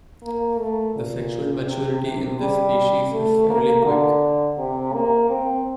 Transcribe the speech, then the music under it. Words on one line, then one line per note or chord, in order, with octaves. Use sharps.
The sexual maturity in this species is fairly quick.
A#3
A3
A#2
C3
C3
G3
A3
A#3
D3
C3
A#3
C4